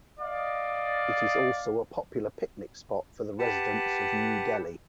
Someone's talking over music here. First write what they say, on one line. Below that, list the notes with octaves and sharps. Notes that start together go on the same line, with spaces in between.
It is also a popular picnic spot for the residents of New Delhi.
D5 D#5 F5
G4 B4 F#5 A5